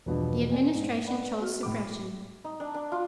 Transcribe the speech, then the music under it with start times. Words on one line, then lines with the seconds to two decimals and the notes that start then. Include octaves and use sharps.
The Administration chose suppression.
0.06 E2 G2 B2 F3 D4
0.52 C4 C5 D5 G5 G#5
0.75 G#2
1.07 B4 D5 F#5 G5 B5
1.41 F#4 F6
1.63 A2 G#3 D6
2.44 D#4
2.60 D4
2.74 D4
2.92 F4